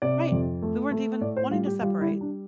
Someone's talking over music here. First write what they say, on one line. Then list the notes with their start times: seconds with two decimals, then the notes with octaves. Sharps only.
Right. We weren't even wanting to separate.
0.02 C3 D5
0.32 F2
0.62 A3
0.91 A3
1.21 A2 D5
1.37 C5
1.51 G3 F4
1.66 G4
1.81 G3 F4
2.01 E4
2.11 G3
2.21 D4